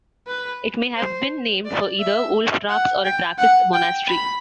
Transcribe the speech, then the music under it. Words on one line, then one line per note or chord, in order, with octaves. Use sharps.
It may have been named for either wolf traps or a Trappist monastery.
B4
C5
D5
E5
F#5
G5
F#5
G5
B5